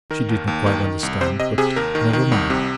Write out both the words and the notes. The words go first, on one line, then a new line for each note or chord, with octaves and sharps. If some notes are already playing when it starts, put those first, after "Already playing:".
She did not quite understand--but never mind.
D#3 A#4
D#2
D#2
D#3
D#3
C2
C3 C5
C3 D#5
C3 G#4
D#2 A#4
D#3
D#3
C2
C3